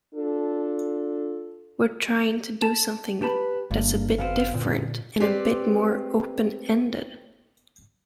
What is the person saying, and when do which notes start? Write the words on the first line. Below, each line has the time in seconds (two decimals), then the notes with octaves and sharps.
We're trying to do something that's a bit different, and a bit more open-ended.
0.15 D4 F4 A4
2.62 A5
3.22 G4 B4 A5 B5
3.71 G1 G2 A#3
4.18 F#2 B3 C4 F5
4.54 A#2 D3
5.20 C4 G4 B4 C5 D5